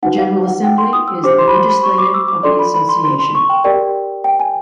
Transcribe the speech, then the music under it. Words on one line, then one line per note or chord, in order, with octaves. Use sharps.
The General Assembly is the legislative of the association.
D#4 F#4 B4 F#5
F5
F#5
G5
C6
D#6
E6
D4 G4 C5 D6
C6
B5
C6
B5
C#6
D6
E6
D6
D4 F4 A4 D5 C6
B5
B5
C6
C6
C6
C#6
G5
G4 A#4 D5 G5
G5
G#5